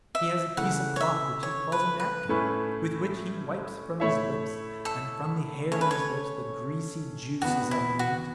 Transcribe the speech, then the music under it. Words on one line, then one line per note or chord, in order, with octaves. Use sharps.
He has a piece of cloth which he calls a napkin, with which he wipes from his lips, and from the hair on his lips, the greasy juices of the meat.
E5
C#3 E3 A3 F#5
C#5
E5
C#5
B4
B4
A2 A3 C#4 E4 B4
A2 A3 E4 C#5 E5
A4
A3 C#4 A4 C#5 E5
B4
C#5
E2 E3 B3 F#4
E4
F#4